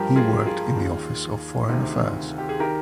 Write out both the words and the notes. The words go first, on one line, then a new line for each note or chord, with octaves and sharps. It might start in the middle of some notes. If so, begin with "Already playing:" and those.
He worked in the Office of Foreign Affairs.
Already playing: G2 F3 G4 A#4
F4 G#4
F4 G#4
D#2 D#3
D2 C3 D#3
G4
G#4
D#3 G4 A#4